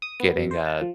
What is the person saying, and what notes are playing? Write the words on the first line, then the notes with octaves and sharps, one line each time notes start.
getting a,
D#6
B3
F#2
C5
A5
F3